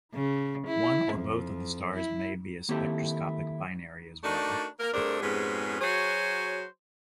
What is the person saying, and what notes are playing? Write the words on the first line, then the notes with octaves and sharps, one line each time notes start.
One or both of the stars may be a spectroscopic binary as well.
C#3
E4
F2
E4
D#3 A#3 C4 E4 G4 A4
A3 D4 D#4 F#4 A#4 D5
A#3 A#4
G2 A3 C4 D4 G#4 A#4
F2 G#2 B3 C#4 G4 G#4
F#3 F#4 G#4 C5 C#5